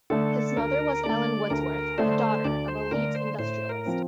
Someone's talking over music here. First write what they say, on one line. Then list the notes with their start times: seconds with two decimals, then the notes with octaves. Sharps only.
His mother was Ellen Wordsworth, the daughter of a Leeds industrialist.
0.10 D3 A3 D4 A4
0.57 D2 A#4
1.04 D3 A3 D4 D5
1.50 D2 A#4
1.98 D3 A3 D4 C5
2.44 D2 D5
2.68 C5
2.91 D3 A3 D4 A#4
3.15 C5
3.39 A2 C5
3.69 A#4
3.86 F3 C4